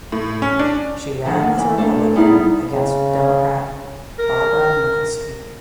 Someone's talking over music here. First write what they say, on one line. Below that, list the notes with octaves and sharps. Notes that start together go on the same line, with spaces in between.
She ran as a Republican against Democrat Barbara Mikulski.
A2
C#4
D4
D3 D#3 F3 D4 A4 F#5
E3
A3 A#3 D4 A4 C5
G3 B3 D#4 E4 G#4 D5
C#3
A#4